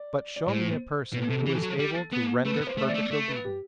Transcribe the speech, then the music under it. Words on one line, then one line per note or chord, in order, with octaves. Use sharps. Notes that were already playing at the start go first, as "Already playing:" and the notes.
But show me a person who is able to render perfect obedience.
Already playing: D5
D5
A2 C5
B2 B4
C3 A4
G4
E3
A4
F#3
G3
B3
A3 B4
B3
C5
A3
E5
D5
A3
A3
B4
G4